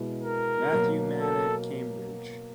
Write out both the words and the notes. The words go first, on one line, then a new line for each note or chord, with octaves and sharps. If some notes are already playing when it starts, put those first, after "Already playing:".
Mathewman at Cambridge.
Already playing: B2 G#3 B3 E4
A#4
B2 F#3 A#3
A4